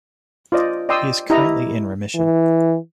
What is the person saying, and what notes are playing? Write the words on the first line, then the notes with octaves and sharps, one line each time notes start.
He is currently in remission.
F4 C5 D5 D#5
D5 D#5 G5 C6 D#6 E6
E4 G4 D#5 A#5
E3